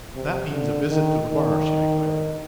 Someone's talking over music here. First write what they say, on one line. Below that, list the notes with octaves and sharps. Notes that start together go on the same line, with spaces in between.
"That means a visit to the bar!" she declared.
C3
D3
D#3
D#3